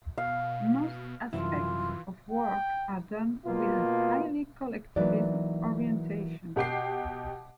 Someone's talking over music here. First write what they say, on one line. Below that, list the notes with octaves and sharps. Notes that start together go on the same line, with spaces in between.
Most aspects of work are done with a highly collectivist orientation.
B2 F5
C2 F#2 E3 E4 F4
G5
B2 A#3 F4
E3 F#3 A#3 D#4 D5
B2 G4 F#5 G5 D6 C7